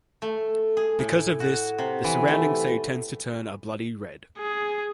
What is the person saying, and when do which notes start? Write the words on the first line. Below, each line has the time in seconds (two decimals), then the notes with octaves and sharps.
Because of this, the surrounding sea tends to turn a bloody red.
0.22 A3
0.77 G#4
0.99 A2
1.40 F#4
1.78 C3
2.04 E3
2.28 A3
4.39 G#4